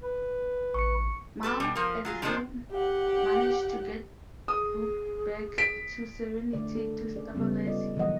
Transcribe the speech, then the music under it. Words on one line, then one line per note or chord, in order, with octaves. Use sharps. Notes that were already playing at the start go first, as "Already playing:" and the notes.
Mal and Zoe manage to get Book back to "Serenity" to stabilize him.
B4
A1 C#6 C#7
G3 F#4 A4 B4
B2 G3
F3 A#4
F#3 F4 G#4
D#3 F3 G#3 C4 D4 C5
G4 F#5
G#4 D#6
B6 D7
D3 A3 D4 D5
A4
C#4 G#4 D5
C#3 G3 G#3 B3 C#4
G3 F4 A4 D5 D#5
A#2 D#3 E3 F#3 D#5 F#5